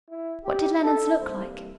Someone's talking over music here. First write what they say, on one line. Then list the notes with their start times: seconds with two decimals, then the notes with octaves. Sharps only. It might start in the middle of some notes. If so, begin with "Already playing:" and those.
What did Leonards look like?'
0.09 E4
0.45 G4
0.83 A4
1.19 C2 C3 E3 G3 A#3 C5